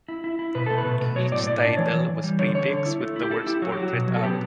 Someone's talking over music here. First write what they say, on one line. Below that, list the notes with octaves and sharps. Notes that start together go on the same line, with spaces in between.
Each title was prefixed with the words "Portrait of".
E4
E4
E4
B2 B4
A3 A4
B4
B2
B2
F#3 C#5
A2 D5
A2 D5
D4 D5
D5
E3 C#5
E3
E3
G3
D3 C#5
D3 C#5
D3
E4
A3
E4
G4
E4 A4
E4 G4
F#3 F#4
G4
F#3
F#4
B2
F#3
A4
B3 G4